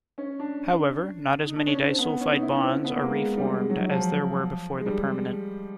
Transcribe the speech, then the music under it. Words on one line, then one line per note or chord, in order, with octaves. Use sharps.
However, not as many disulfide bonds are reformed as there were before the permanent.
C#4
D4
D#4
D4
C#4
C4
B3
C#4
D#4
E4
C#4
C4
B3
A#3
G#3
G#3
G3
G#3
F#3
F#3
F3
G#3
G3